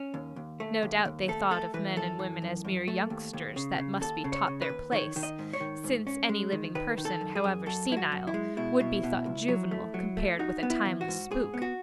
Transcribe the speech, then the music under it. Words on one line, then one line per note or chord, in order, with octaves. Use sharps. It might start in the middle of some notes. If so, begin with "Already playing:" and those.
No doubt they thought of men and women as mere youngsters that must be taught their place, since any living person, however senile, would be thought juvenile compared with a timeless spook.
Already playing: C#4
D#2
D#2
A3
D#2
D#2
A3 A4
A3 A4
E3 B4
F#2 A4
E3
F#2
F#2
A3
D#2
D#2
C#3
C#3
D#2 A4
C#3
C#5
C#3
B4
D#2
D#3 C#5
D#3
D#5
G#2
C#5
D#3
G#2
C#4
G#3
D#3
D#3 B4
D#3
A4
F#2
G#4
F#2
F#2 A4
F#2 E4
F#4
F#2
E4
G#3
B2 E4
B2
B2
C#2
F#3
A3
F#3
A3
D#4 F#4
B3
E4
E3
F#4
G#2
G#2 G#4
B3
F#4